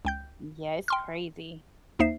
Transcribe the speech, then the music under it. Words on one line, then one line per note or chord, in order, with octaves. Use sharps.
Yeah, it's crazy.
C#2 G5 G6
G5 C6 F6
D#2 A#3 D#4 C5 E5 C7